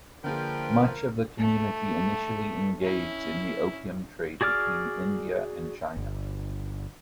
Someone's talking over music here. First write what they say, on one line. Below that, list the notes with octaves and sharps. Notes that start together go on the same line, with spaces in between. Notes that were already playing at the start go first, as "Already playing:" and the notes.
Much of the community initially engaged in the opium trade between India and China.
D3 F3 A#3 G#4 A#4 B4 G5
A3
C#4 E4
F#4 G#4 D5 D6 F6
G1